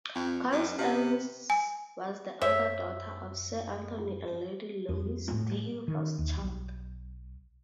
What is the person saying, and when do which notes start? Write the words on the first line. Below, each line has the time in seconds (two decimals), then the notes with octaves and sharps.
Constance was the elder daughter of Sir Anthony and Lady Louise de Rothschild.
0.15 F2
0.52 F#2
0.78 C3
1.50 G#5
2.41 F#2 C5 C#5 E5
4.89 F2
5.32 A2
5.88 D#3
6.18 D#2
6.39 B1